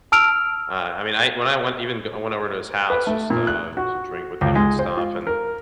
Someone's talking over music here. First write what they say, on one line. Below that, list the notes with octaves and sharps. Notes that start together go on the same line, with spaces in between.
uh, I mean, I when I went even go I went over to his house, just, uh, to drink with him and stuff, and,
A5 E6 F6 D7 F7
B4
A3
A#2
F#6
F#4
C#2
G#3
C5
F4
A#4